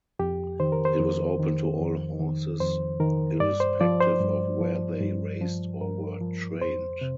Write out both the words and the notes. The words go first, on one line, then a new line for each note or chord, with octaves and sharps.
It was open to all horses irrespective of where they raced or were trained.
F2 G4
D#3 C5
A#4
C5
F2
D#3
F2
D#3
F2 C5
D#3 A#4
G2 D5
C5
F3 D5
C5
G2
F3
G2
F3
G2 A#4
F3
F2 C5
C3